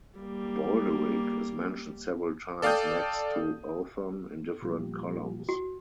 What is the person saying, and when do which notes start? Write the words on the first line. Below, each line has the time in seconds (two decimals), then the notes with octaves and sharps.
Baldéric is mentioned several times next to Othon in different columns.
0.19 G3 A#3
2.62 A4 D5 F5 G5 D#6 G6
4.62 A#2 F3 G3
5.49 F#4